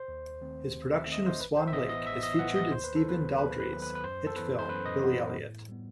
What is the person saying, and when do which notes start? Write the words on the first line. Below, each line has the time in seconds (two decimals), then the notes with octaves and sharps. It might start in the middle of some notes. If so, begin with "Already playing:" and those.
His production of "Swan Lake" is featured in Stephen Daldry's hit film "Billy Elliot".
Already playing: C5
0.08 D#2
0.41 D#3 A3 C4
0.74 D#2
0.99 E5
1.07 D#3 A3 C4 D#5
1.26 C5
1.40 A1 B4
1.57 C5
1.68 E5
1.72 A2 E3 B3 D#5
1.89 D#5
2.06 A1 E5
2.23 D#5
2.39 A2 E3 B3 F#5
2.56 D#5
2.72 D#2 C5
2.84 B4
2.96 A4
3.05 D#3 F#3 B3 B4
3.37 D#2 B4
3.60 B4
3.70 D#3 F#3 B3
3.82 B4
3.95 B4
4.04 F#2 C5
4.27 A4
4.36 E3 B3 B4
4.59 C5
4.69 F#2 B4
4.86 D#5
5.03 E3 B3
5.35 A2
5.69 G3 B3